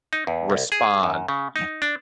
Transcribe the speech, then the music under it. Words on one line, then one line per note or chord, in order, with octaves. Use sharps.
respond yeah
D#4
E2
C2
G#4
F#2
C#3
D#4
D4